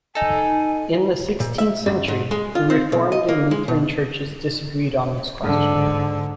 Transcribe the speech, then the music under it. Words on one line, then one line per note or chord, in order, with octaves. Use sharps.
In the sixteenth century, the Reformed and Lutheran churches disagreed on this question.
D#4 A4 G#5
A#2
E5
F#2
G#2
G#3
F4
C4
B1
D#5
A#3
G#3
B2
G#2 D3